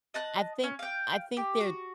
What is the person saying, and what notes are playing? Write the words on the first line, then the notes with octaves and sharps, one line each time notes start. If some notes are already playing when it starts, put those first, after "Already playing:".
I think I think they're
D#5 A5 F#6
C#4
F5 G5
G4
F#4